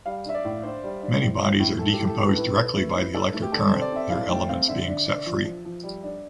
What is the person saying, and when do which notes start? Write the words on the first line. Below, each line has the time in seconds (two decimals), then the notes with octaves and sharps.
Many bodies are decomposed directly by the electric current, their elements being set free.
0.05 G3 F5
0.25 D4 E5
0.34 D5
0.44 A2
0.63 D4 C5
0.83 G3
1.02 D4
1.21 A2
1.40 E3
1.59 A2
1.79 A2 A4
1.93 G4
1.99 A2
2.08 A4
2.18 A2 B4
2.37 E4 B4
2.55 A4
2.75 A3
2.95 E4
3.15 A4
3.34 A3
3.42 G4
3.52 D3 A4
3.67 C4 C5
3.82 D5
3.92 C4 E5
4.10 E4 F5
4.29 A3 G5
4.49 C4 F5
4.68 D3 E5
4.88 D4
5.06 D4
5.26 F3
5.45 F3
5.65 F3
5.83 G3
6.03 D4